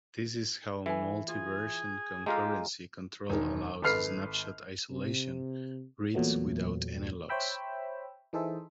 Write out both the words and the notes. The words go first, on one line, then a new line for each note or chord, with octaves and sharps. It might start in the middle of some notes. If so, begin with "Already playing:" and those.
This is how multiversion concurrency control allows snapshot isolation reads without any locks.
E3 A4 B4 G#5
F4 G#4
G#3 F4 G4 A4 F5 A#5
E1 D#3
G#1 A4 B4 F6 C7
C3
E2 A#2 F#3 A3 B3
C5 C#5 E5 G5 B5 E6
E3 D#4 G#4 A4 C5 E5